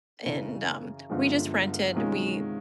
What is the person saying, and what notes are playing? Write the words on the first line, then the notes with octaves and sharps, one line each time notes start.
and, um, we just rented we
F#2 C#3 E3
G1 G2 D3 F3 G#3
C3 D#3 G#3 C#4 F4